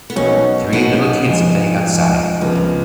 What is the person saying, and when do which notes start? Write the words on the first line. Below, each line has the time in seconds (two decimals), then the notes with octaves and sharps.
Three little kids playing outside.
0.10 B3
0.16 B1 B2 A#3 C#4 D#4 F#4
0.72 B1 B2 A#3 B3 D#4 F#4
1.28 F2 F3 G#3
1.85 F2 F3 G#3
2.41 C#2 C#3 F3 A#3 B3